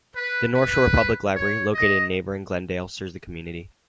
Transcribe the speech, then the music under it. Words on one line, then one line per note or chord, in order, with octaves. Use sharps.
The North Shore Public Library, located in neighboring Glendale, serves the community.
B4
B4
C#5
D#5